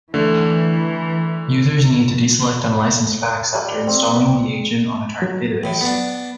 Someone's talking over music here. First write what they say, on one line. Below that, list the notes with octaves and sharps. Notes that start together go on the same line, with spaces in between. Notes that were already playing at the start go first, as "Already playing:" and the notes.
Users need to de-select unlicensed packs after installing the agent on a target database.
D3 E3 A3
G3
C5
C4
B3
F#3
A1 A2
B3 D4